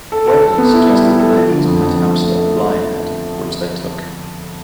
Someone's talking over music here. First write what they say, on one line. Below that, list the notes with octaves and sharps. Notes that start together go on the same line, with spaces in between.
Webley suggested the name of his pet hamster, Lionhead, which they took.
A4
A4
A4
B3
E4
G3
E4
A4
F3
D3
F2
F2
F2
A3
A3